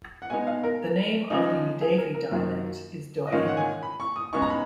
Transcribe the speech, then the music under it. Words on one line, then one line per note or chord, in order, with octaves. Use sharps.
The name of the Eudeve dialect is "Dohema".
F#5
B2 G#3 B3 D#4 G#5
F5
A#4
C#3 F3 G#3 D#4
G#4
A#4
A#4
F#2 D#3 F#3 A#3 F4
D#5
G#2 D#3 G#3 C#4 F4 F5
F#5
G#5
B5
C#6
D#6
C#3 G#3 B3 D#4 C#6
A#5
B5